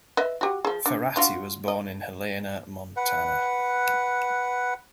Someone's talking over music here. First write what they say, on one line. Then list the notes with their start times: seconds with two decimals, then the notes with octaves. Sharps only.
Ferratti was born in Helena, Montana.
0.17 B4 D#5 E5
0.41 F#4 G4
0.65 F3 G#4
0.86 D4
1.16 D4 F4 F#4
1.68 D#5
2.97 B4 F#5